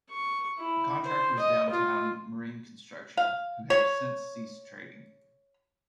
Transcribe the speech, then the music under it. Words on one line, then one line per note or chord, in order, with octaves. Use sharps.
The contractor was Downtown Marine Construction who have since ceased trading.
C#6
E4
C5
D#5
F4
F5
C#5